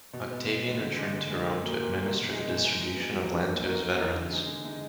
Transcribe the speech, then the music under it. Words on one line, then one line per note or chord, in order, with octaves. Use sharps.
Octavian returned to Rome to administer the distribution of land to his veterans.
B2
G#3 B3
B2
G#3 B3
D3
G#3 D4
D3
G#3 D4
A#2
F#3 A#3
A#2
F#3 A#3
B2
G#3 D#4 G#4
B2
G#3 D#4 G#4
F#3
B3 D4 G#4
F#3
B3 D4 G#4
A#3
D#4 F#4 A#4
A#3
D#4 F#4 A#4
D3
G#3 D#4 G#4
D3
G#3 D#4 G#4